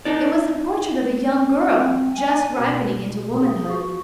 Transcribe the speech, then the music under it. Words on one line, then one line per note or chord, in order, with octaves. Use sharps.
It was the portrait of a young girl just ripening into womanhood.
D#4 D5
C4
G#5
B2
G#4
F#4